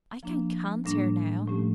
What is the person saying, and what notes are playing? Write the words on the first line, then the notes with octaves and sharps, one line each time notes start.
"I can canter now!"
F3 A#3 D4
A2 G3 A#3 D4
A2 F3 A3 C#4 G4